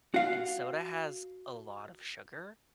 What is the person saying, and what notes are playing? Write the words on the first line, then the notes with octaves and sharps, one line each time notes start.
and soda has a lot of sugar.
F#4 F5